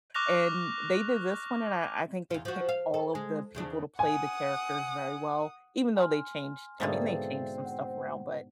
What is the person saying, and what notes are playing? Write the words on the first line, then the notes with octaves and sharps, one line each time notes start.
and they did this one and I I think they picked all of the people to play the characters very well, even though they changed, I mean they changed some stuff around, but
C#6 D6 F6 F#6 A#6 F7
E2 F4
F3 F#4
F5
A4
G#3
E2 C#3 D4
F#5 G#5 D#6
G#5 C6 F6
G#2 B2 D3 C4 E5 F5 A6
C5 F#5